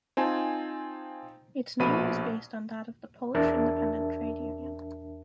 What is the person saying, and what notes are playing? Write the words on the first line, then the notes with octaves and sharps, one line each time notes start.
Its name was based on that of the Polish independent trade union.
C4 D#4 F4 G#5 A5
A#1 B2 A3 B5 D#7
E2 D4 A#4 E5 A5